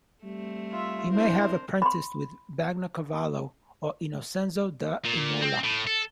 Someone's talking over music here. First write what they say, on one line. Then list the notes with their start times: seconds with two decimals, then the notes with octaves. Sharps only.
He may have apprenticed with Bagnacavallo or Innocenzo da Imola.
0.24 G3 A3 C4
0.72 F4 E5
1.12 C4 D4 E4 A#4 C5
1.82 B5 C6
5.05 A#2
5.42 C4
5.64 A2
5.87 A4